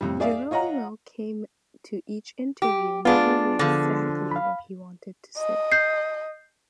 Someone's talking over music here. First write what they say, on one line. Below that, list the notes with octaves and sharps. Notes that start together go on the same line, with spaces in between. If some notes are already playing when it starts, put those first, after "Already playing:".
Geronimo came to each interview knowing exactly what he wanted to say.
F2 A2 G3
G#4 D5 E5 F5
F4 C#5 D#5 F#5 A#5
G4
B3 D4 F4 G#4
D3 F3
F5 B5
D#5
G6 C7